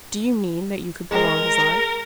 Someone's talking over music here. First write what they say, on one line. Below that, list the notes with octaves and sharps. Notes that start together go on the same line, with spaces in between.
"Do you mean that you could prolong his life?"
G#3 A#4